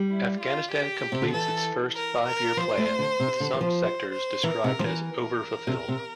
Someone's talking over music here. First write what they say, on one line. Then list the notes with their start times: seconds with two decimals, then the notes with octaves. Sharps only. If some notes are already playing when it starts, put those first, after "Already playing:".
Afghanistan completes its first five-year plan, with some sectors described as over-fulfilled.
Already playing: G3
0.09 E4
0.40 F4
0.72 G4
1.12 C3
1.22 D3
1.33 E3 A4
1.95 A#4
2.26 A#4
2.57 F3 C5
2.77 A3
2.99 D3
3.20 C3
3.40 D3
3.54 E3
3.61 F3
3.81 C5
4.12 C5
4.43 E3 A#4
4.64 C3
4.79 F3
4.84 E3
5.06 A#4
5.67 C3
5.88 C3